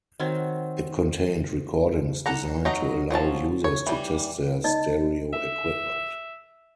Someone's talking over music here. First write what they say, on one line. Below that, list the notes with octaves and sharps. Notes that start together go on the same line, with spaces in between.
It contained recordings designed to allow users to test their stereo equipment.
D#3 C4 F#4 C#5
A4 F#5 A#5
F#3 D#4 A#5
F3 F#3 C#4 A5
C#5
E3 G3
D#4 D5 D#5
E5